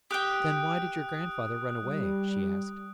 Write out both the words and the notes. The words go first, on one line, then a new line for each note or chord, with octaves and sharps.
"Then why did your grandfather run away?" she asked.
G4 G5 D#6 F#6 D7
G3